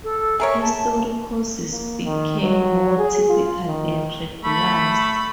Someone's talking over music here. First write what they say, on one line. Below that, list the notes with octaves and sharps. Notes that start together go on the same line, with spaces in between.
History courses became more typical and regularized.
A4
G#4 A#4 C#5 E5
A5
A#3
D#3
F#3
G#4
F4
D#3
A3 B5